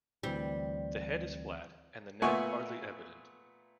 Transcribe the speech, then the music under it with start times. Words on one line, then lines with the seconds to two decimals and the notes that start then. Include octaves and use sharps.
The head is flat and the neck hardly evident.
0.23 D2 E3 G3 C4
2.22 A#2 A3 B3 F#5 G#5 C#6